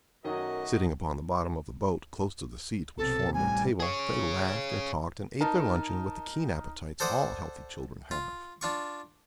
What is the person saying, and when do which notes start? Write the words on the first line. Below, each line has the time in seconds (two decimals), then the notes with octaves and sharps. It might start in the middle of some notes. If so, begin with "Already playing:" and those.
Sitting upon the bottom of the boat, close to the seat which formed their table, they laughed and talked and ate their luncheon with the keen appetites all healthy children have.
0.25 F#2 D#3 F#3 A3 F#4 A#4 D#5
2.98 B1 C3 A4
3.34 A1 G3 G#5
3.80 G#4 C#5
5.41 D#4 A#4 A5
7.00 A4 C5 D5 F#5 D#6
8.11 F4
8.61 D4 F4 C#6